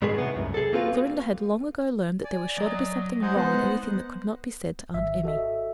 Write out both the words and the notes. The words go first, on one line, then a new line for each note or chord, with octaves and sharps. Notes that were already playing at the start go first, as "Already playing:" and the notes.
Clorinda had long ago learned that there was sure to be something wrong in anything that could not be said to Aunt Emmy.
G#2 B2 G#3 B3 G#4
A2 C3 B3
C2 F#2
G#4 A4
A#3 C4 F4 F#4 B4 F5
D5 G#5
F#3 D#5 A#5
G#3 D#4 C5 F#5 G#5
B3 D#4 C5 F#5
G#1 E5
F#4 A4 D#5 E5